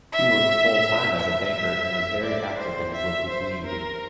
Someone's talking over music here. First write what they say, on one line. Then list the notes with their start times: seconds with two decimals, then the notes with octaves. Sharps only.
He worked full-time as a banker and was very active in his local community.
0.12 E5
1.19 E5
2.23 D5
2.59 C5
2.95 E5
3.29 C5
3.65 A#4